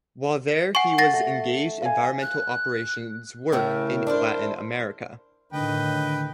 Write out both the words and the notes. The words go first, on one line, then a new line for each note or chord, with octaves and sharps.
While there, he was engaged in environmental operations work in Latin America.
F#5 G#5 C#6
F#5 A6 A#6
A3
F5 G#5
F#6
A2 C#3 A3 A#4
D4 E4 C5
A2 D3 D#3 B4 D#5 G5